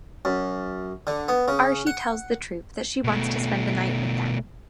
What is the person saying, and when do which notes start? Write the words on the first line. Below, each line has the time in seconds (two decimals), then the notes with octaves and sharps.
Arshi tells the troupe that she wants to spend the night with them.
0.25 F#2
1.07 D3
1.28 B3
1.48 C#3
1.87 F#5
3.04 B2 A3